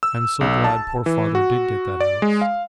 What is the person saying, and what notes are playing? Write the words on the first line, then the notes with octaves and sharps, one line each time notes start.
I am so glad poor father did get that house.
E6
B1
A5
E3
F#4
D5
G#3
F5